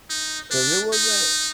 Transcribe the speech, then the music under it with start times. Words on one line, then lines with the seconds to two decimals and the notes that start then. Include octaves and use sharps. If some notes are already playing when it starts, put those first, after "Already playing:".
'cause it wasn't
0.10 D#4
0.51 D4
0.93 D#4